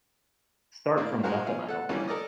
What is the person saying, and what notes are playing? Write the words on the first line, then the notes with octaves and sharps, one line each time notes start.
start from nothing, I don't think.
A2 A#3 D4
G#3 F#4 A#4 C5 F5 F#5
C#4 F4 G#4
A4 F#5
E3 F3 G3 A#3 C#4 D4
A4 A#4 D5 D#5 D#6